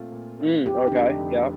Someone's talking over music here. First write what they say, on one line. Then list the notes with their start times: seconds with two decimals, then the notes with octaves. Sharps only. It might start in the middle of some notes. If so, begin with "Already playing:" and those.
Mm, okay. Yep.
Already playing: A#2 A3 C4 F4
0.12 A#2
0.39 A3 C4 F4
0.66 F1 G4
0.87 D#4
0.92 F2 D3 A3 D4
1.18 F1